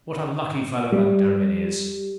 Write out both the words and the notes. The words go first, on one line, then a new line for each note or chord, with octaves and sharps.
What a lucky fellow that Derebin is!
G3